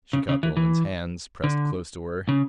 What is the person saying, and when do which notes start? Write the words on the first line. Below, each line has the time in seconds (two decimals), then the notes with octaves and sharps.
She caught the woman's hands, pressed close to her.
0.13 C#3
0.29 C#3
0.43 E3
0.57 E3
1.44 D3
2.29 C#3